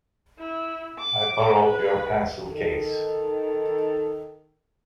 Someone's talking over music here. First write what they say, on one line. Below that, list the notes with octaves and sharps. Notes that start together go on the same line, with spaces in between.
I borrowed your pencil case.
E4
D6
B4
D#3 A4